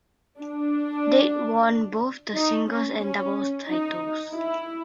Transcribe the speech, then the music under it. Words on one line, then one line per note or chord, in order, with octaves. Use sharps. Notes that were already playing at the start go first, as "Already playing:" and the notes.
Date won both the Singles and Doubles titles.
D4
D#4
C#4
C#4
D#4
E4